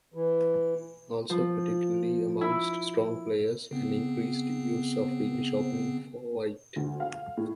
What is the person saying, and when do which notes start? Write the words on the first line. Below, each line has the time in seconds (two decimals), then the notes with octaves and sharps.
Also, particularly amongst strong players, an increased use of the English Opening for White.
0.14 E3
1.30 F3
2.41 E4
3.71 C#3 B3 C4
6.76 D2
7.00 F5
7.37 A2